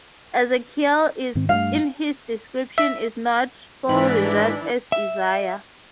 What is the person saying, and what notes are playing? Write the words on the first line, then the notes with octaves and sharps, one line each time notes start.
Ezekiel in his description is not so reserved as Isaiah.
G#2 D#3 C4
G2 A3 F5
E5
G#2 E3 D4 B5
E5